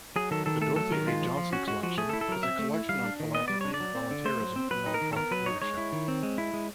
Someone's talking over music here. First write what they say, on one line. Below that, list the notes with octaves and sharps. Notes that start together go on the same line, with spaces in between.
The Dorothy A. Johnson Collection is a collection on philanthropy, volunteerism, and nonprofit leadership.
F#3 G#4
D#3 A4
D#3 A4
A3 A4
F#3 A4
D#3 A#4
G#3 F4
F3
F3
C#4 F#4
G#3 F#4
F3 F#4
A3 G#4
A4
E4
A4
F#3 A#4
C4 E5
A3
E4
G3 F5
D4
D#3
B3 D#5
G3 D5
D4 C#5
D5
F#3
C4
D3
A3 C5
F#3
C4
F#3 B4
D#4
A#4
D#3
A4
B3 A#4
F#3 B4
D#4 C#5
G#3 C#5
E4
D#3
C4
G#3
E4
G#3